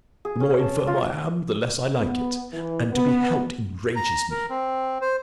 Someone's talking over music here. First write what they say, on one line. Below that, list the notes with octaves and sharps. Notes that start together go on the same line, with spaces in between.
The more infirm I am, the less I like it--and to be helped enrages me.
G#4
C#4
A5
F4
B3
E3
B3
A#5
A#4
C4
C5